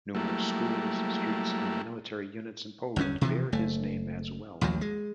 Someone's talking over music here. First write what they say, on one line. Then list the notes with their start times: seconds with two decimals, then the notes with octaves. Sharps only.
Numerous schools, streets and military units in Poland bear his name as well.
0.15 F#3 G3 A3 A#3 E4
2.96 G1 E2 A#2 C#4
3.21 C3 E3 F3
3.52 F#1 A3
4.61 A1 D#2 F3 F#3
4.81 G#3